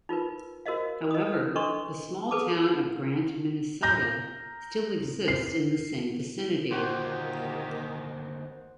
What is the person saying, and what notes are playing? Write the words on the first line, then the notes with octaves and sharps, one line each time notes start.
However, the small town of Grant, Minnesota, still exists in the same vicinity.
D#4 F4 A#4 B4
F#4 A#4 C5 D#5 F5
D#5 D#6
D4 A4 B4 D#5 C6 C#6
G#4 A4 B4 A5 D6
A#5 G6 A#6
C7
D2 A#2 D#3 A#3 F#4 G4 C5